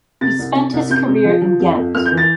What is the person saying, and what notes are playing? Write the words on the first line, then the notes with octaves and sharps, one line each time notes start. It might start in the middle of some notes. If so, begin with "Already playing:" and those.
He spent his career in Ghent.
C3 A6
C2
C3
C2
C3 G6
C3
F3
F3
F2
F2
F2 F6
G6
E3
A6